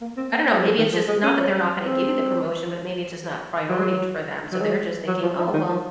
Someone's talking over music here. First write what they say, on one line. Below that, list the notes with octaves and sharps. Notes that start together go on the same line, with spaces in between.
I don't know. Maybe it's just not that they're not gonna give you the promotion, but maybe it's just not priority for them. So they're just thinking, "Oh, well,
A#3
C4
A#3
A#3
F#3
F3
D#3
F3
G#3
C#4
C4
F#3
F#3
G#3
F#3
F3
F3
D#3
F3